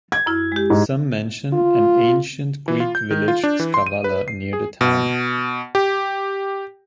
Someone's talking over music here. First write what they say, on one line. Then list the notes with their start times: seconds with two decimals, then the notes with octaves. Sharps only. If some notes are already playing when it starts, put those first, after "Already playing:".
Some mention an ancient Greek village "Skavala" near the town.
0.12 G#6
0.26 F#2 E4 F6
0.52 G#3 G4
0.70 G#2
1.53 F4
2.68 E3
2.80 F4
2.95 G6
3.11 D#3
3.28 F4
3.44 D4
3.60 E3
3.74 C6
3.87 D#7
4.04 B4
4.28 C7
4.53 G#4
4.81 B2
5.75 G4